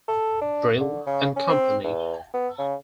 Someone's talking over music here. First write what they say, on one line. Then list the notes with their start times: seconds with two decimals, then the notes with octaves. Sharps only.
Brill and Company.
0.08 A4
0.41 D4
0.80 D3
1.06 C#3
1.36 C#4
1.49 C4
1.84 E2
2.34 B3
2.58 C#3